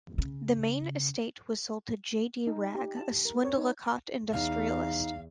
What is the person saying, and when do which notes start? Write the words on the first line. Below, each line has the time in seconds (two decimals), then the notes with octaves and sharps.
The main estate was sold to J. D. Wragg, a Swadlincote industrialist.
0.18 C#3
2.47 D#4
2.75 G4
2.97 A5
3.25 A#4
3.45 C#5
3.58 D#4
4.33 E2 D#4 F5